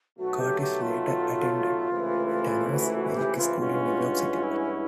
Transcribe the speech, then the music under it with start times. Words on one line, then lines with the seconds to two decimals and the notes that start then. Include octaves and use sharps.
Curtis later attended Tannen's Magic School in New York City.
0.18 B1 B2 F#3 A3 F#4
0.40 G4
0.61 G4
0.82 F4
1.88 C#2 C3 E3 A3
2.74 F#4
2.95 F#4
3.15 G4
3.37 F4
3.58 G2 E3 G#3 C#4 F#4
4.43 E4